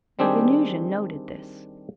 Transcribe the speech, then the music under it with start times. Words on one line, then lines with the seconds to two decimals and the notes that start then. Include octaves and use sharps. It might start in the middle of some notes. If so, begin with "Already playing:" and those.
The Venusian noted this.
0.19 D#3 G3 C4 D4 G4 G#4